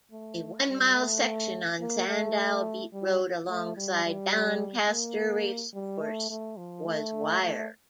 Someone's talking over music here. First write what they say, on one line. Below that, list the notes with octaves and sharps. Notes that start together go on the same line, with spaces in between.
A one mile section on Sandall Beat Road alongside Doncaster Racecourse was wired.
A3
G3
A3
A#3
A3
G3
A3
G3
G3
A#3
G3
A3
A3
F3
A3
A3